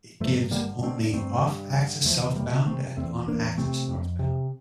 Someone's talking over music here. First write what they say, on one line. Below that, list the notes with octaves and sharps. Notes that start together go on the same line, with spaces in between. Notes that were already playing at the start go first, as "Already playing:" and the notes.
It gives only off-access southbound and on-access northbound.
G2 F3 A3
D3 G3 A#3
D3 A3 C4
G2 A3 C4
G2
D3
E2 F3 A3
C3 G3 A#3
C3 A3 C4
E2 A3 C4
E2 A#3 D4
C3 A3 C4
F2
C3